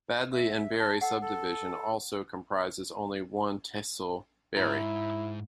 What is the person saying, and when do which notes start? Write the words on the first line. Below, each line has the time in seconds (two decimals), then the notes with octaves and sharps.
Badli and Beri sub-division also comprises only one tehsil, Beri.
0.32 E5
0.78 A5
1.01 A4 F#5
1.21 A4
4.57 G#2 E4 A#5